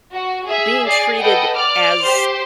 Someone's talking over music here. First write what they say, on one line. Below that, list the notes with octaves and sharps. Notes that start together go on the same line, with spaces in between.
eh, being treated as
F#4
G#4 E5
G#4 D5 C7
A4 B4 D#5 F#5 G5
D5 D6 F6
G4 C5 C6